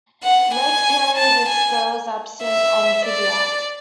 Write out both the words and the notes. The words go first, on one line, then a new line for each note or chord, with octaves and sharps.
Legs hairy with spurs absent on tibia.
F#5
G#5
A5
G#5
E5
D5